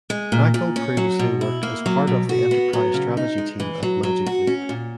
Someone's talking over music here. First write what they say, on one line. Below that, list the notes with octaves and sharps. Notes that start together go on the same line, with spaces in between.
Hackl previously worked as part of the Enterprise Strategy team at Magic Leap.
G#3
A#2
A#2
C#4
F#3
B2
E4
A#3
F#3
B2
F#4
B3
F#3
C#3
D#4
G#3
E3
F#3
F#3
F#4
C#4
A#2